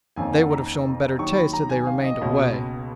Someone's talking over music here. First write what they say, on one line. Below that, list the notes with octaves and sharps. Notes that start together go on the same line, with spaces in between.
"They would have shown better taste had they remained away."
F2 D#3 A#3 C#4 G#5
F#5
A#5
D#2 D#3 F#3 C#6
B5
A#5
G#5
F5
D#5
C#2 B2 A#3 C#4